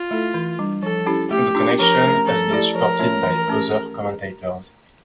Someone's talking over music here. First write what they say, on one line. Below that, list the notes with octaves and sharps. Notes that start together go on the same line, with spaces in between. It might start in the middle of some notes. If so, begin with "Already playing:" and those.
The connection has been supported by some other commentators.
Already playing: F4
A3 E4 A4
E3
G3 D4
F3 A4
C#4 E4 G4
A3 G4
D4 F4
F3 A#4
A3 C#4
F3 A4
A3 E4 G4 D5
F3 A#4
A3 C#4 F4 C#5
E3
A3 C#4 G4